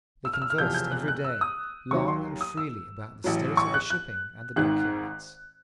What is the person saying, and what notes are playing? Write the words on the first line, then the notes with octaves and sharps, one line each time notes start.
They conversed every day long and freely about the state of the shipping and the dock-yards.
E6
F6
E6
F6
E1 E2 C3 F3 G6
G6
F#6
F#6
E6
D#6
D#2 D#3 F#3 C#6
C6
D#6
E6
A1 A2 F#3
C#6
F#6
F#6
G#1 G#2 D#3 F#6